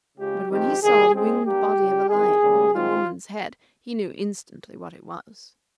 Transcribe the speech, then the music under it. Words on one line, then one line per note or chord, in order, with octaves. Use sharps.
But when he saw the winged body of a lion with a woman's head, he knew instantly what it was.
C#2 C#3 G#3 G4
F2 D#3 G#3 C4 G4
C2 C3 D#3 A#3 G#4
C#2 C#3 G#3 C4 G#4
G2 G3 A#3 G4
C#2 C#3 G3
C2 C3 D#3 G#4
D#2 C#3 G3
G#2 D#3 G#3 C4 F4